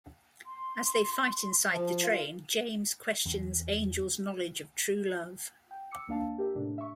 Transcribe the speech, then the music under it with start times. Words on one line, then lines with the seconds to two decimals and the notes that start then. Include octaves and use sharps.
As they fight inside the train, James questions Angel's knowledge of true love.
0.46 C6
1.73 F3 A5
2.04 F4 A#4
3.25 E2 E3 C4 C#4
5.71 G5
5.91 D6 E6 C#7
6.07 D2 A#3 D4 F5 A5
6.38 G4 A#4 E5
6.55 A2 C3 A3 D4
6.78 E5 C#6